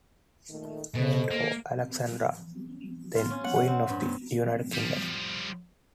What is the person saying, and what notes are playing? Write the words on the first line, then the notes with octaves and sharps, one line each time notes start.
Named for Alexandra, then Queen of the United Kingdom.
A#2 D#3 A3
B2 A4 C5 D#5
A#3
F4
C#4
F#5
F#5
C4
G2
C3
F3 G3